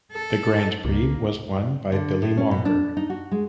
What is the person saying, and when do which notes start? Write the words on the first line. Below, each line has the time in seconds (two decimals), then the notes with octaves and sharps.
The Grand Prix was won by Billy Monger.
0.13 A4
0.85 C#2 A#3
1.92 D3
2.22 A2
2.37 C#4
2.51 B2
2.65 D4
2.97 D#4
3.10 F#4
3.31 G#3